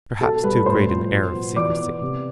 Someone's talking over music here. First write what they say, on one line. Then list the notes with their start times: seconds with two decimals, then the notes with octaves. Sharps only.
Perhaps too great an air of secrecy.
0.21 B2 A4 A5
0.43 G3 B4 B5
0.66 A2 C5 C6
0.88 F3
1.11 B2
1.34 B3
1.56 E3 D5 D6
1.79 B3
2.01 C3